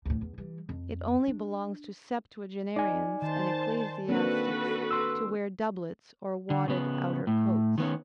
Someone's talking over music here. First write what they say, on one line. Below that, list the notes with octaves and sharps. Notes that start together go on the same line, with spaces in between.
It only belongs to septuagenarians and ecclesiastics to wear doublets or wadded outer coats.
D2 A2
E2
E3 G3
F2
D4
D#4 D5 G#5
D#3 C5 A5
A#3 C4 D4 F#4 A4 B4
C6 E6
D3
C#3 B3
A2
D#3 B3 C#4